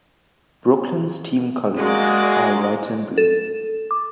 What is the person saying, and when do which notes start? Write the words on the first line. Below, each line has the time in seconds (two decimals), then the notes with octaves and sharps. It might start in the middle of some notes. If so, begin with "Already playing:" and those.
Brooklyn's team colors are white and blue.
1.78 G#3 A#3 F#4 G#4 D5
3.18 A4
3.91 D6